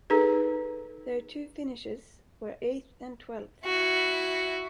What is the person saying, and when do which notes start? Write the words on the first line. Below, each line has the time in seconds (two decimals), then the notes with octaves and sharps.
Their two finishes were eighth and twelfth.
0.10 D#4 G#4 A4 B4
3.64 E4 F#4